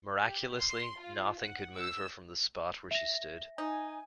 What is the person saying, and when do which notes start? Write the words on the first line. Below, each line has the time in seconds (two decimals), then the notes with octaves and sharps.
Miraculously, nothing could move her from the spot where she stood.
0.21 G4
0.56 C6
0.99 F4
1.40 F#5
1.76 E6
2.91 E5 A#6
3.58 D#4 G#5